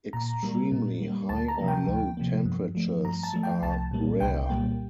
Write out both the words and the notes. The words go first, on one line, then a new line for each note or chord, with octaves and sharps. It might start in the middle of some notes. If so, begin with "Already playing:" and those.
Extremely high or low temperatures are rare.
A#2 A#5
G3 A#3
A#2
G3 A#3
D2 A5
A#5
C3 F3 A#3
G5
D2
C3 F3 A#3
G2
F3 A3
G2 A#5
A5
F3 A3
G5
C2 A5
A#2 G3 A#3
C2 G5
A#2 G3 A#3